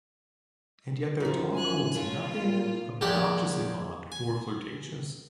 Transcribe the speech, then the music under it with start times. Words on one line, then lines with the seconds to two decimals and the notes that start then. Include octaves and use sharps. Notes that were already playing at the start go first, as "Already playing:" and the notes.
And yet their talk holds nothing obnoxiously fond or flirtatious.
1.20 F#2 D#3 F3
1.53 G#5 F#6
1.94 A2 F4 C#5
2.43 A#2
3.01 A#1 E2 G#3 G4 A4 D5
4.12 G#5